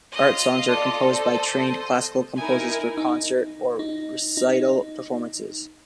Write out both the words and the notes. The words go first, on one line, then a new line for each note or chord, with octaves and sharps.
Art songs are composed by trained classical composers for concert or recital performances.
F4 D#5
A4 D5
C5 D#5
D#4 E4 A#4 G#5
D#4
D#4
D#4